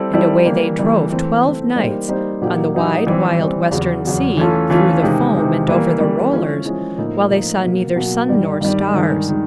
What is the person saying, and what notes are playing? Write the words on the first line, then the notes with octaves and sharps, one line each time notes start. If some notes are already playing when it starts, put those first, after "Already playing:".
And away they drove twelve nights, on the wide wild western sea, through the foam, and over the rollers, while they saw neither sun nor stars.
Already playing: G3 C4 E4 A4
G3 C4 E4 A4
E3 G3 A#3
E3 G3 A#3
E3 A3 C4
E3 A3 C4
G3 A#3 D#4 G4 C5
G3 A#3 D#4 G4 C5
A#2 F#3 A#3 D#4 G4
A#2 F#3 A#3 D#4 G4
E3 G3 C4
E3 G3 C4
E2 C#3 F#3
E2 C#3 F#3
E3 A3 C#4 F4 A4
E3 A3 C#4 F4 A4
C3 D#3 G#3
C3 D#3 G#3
E3 G3 A#3
E3 G3 A#3
F3 G#3 C#4 E4
F3 G#3 C#4 E4
A2 F3 A#3 D#4
A2 F3 A#3 D#4
B2 F#3 A#3
B2 F#3 A#3
G2 D#3 G3
G2 D#3 G3
G2 D#3 G#3
D#3 G#3